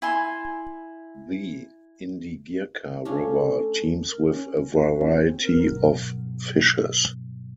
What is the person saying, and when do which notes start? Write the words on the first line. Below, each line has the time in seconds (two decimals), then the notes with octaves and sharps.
The Indigirka River teems with a variety of fishes.
0.02 E4 G#5 C6
3.05 C#3 A3 C#4 D4 F5
4.09 A#4
4.28 C#4
4.47 C#4
4.72 F#4
4.96 C#4
5.09 C5
5.24 C4
5.42 A#4
5.72 G2 B2 F#3